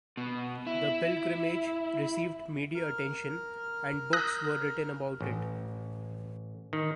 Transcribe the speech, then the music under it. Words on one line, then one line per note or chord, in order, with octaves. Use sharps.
The pilgrimage received media attention and books were written about it.
B2
E4
A#4 F6
D#6 F#6 A#6
A1
D#3